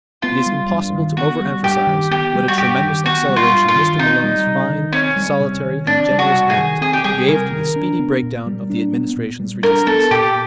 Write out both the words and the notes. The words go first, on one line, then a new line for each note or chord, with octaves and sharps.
It is impossible to overemphasize what a tremendous acceleration Mr. Malone's fine, solitary and generous act gave to the speedy break-down of the Administration's resistance.
B3 F4
G3
G2
D#3
B3 F#4
G3
G2 G4
D#3
B3 G4
G3
F#4
G2 G4
D#3
B3 F#4
G3
F4
G2
F4
D#3
C4 D#4
G3
C3
D#3
C4 C#4
G3
C3
D#3
C4 D4
G3
F#4
C3
G#4
D#3
C4 G#4
G4
G3 G#4
C3 A#4
D#3
D4
B3
A#2
G3
D4
B3
A#2
G3
D4 A#4
B3 A4
A#2 G4